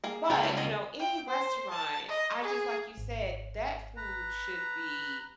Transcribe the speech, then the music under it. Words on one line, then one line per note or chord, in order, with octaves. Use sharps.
but, you know, any restaurant I just like you said, that food should be
A#3 G#4
C#2 F4 G#4 G5
F#3 G3
G#4 D#5
G5
C5
A5
D#5
G#4
G#1
B4 A#5